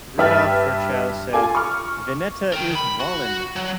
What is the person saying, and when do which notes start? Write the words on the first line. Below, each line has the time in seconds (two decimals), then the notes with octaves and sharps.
Rudolf Virchow said: Vineta is Wollin!
0.18 G2 B4 E5 G5 F6 A6
1.33 F4 A4 G#5 D6
1.55 C#6 F6
2.53 A#4 G5
2.75 B5
3.00 F#4
3.56 F#3